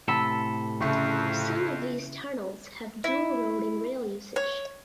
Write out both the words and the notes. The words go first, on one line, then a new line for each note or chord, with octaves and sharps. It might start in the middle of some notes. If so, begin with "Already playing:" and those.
Some of these tunnels have dual road and rail usage.
A2 C3 A4 A5 B5 E6
F2 C#3 E4 C#6
E4
C#5